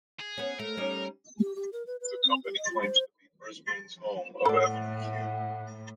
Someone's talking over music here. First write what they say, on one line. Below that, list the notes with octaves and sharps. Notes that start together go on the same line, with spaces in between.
The company claims to be Brisbane's home of Avenue Q.
G#4
B3 C#4
A3 A#4
G3 C#4 D#4
G4
G4
A#4
B4
B4
C4
G4
D#5
F4
C5
A2 A4 D5 F#5